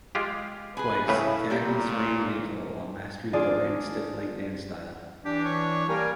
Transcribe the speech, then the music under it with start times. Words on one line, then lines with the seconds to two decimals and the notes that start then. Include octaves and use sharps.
Twice, Cagney sprained an ankle while mastering Cohan's stiff-legged dance style.
0.15 G#3 F4 G4
0.77 G#4 B4 G#5
1.08 A2 C#3 E4 B4
1.50 A#2 G3 A#3 G4
1.89 A3
3.33 D4 F4 G#4 D5
5.25 E3 D4 G4
5.45 C#5
5.89 G3 A#3 A#4 G#5